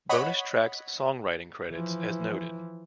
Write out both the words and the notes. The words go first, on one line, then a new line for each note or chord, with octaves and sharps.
Bonus tracks songwriting credits as noted.
C#5 D#5 F#5 B5
E3 F3